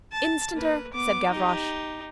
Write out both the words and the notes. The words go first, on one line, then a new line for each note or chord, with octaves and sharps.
"Instanter," said Gavroche.
A5
A#3 B4
B3 D6
D#4 G4